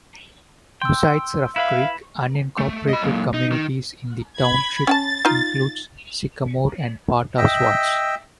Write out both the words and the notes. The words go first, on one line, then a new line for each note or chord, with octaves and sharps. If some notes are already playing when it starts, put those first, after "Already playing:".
Besides Ruff Creek, unincorporated communities in the township include Sycamore and part of Swarts.
G5 C6 E6
E4 B4 E5 F5 B5 G#6
A3
D#5 B5
F#2 A#2
D#4
D#3
B5 G#6
C#4 G5 A5 A6
D#4 F4
D#5 E5 G5 E6